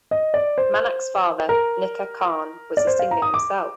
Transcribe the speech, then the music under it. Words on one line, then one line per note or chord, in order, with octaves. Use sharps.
Manak's father, Nikka Khan, was a singer himself.
D#5
D5
C5
A#4
D5
C5
F5
A#5
D#6
D6